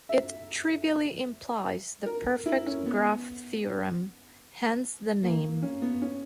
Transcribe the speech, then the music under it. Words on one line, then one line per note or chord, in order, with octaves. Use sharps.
It trivially implies the perfect graph theorem, hence the name.
E5
A#4
E4
C#4
B3
A#3
C#4
B3
C#4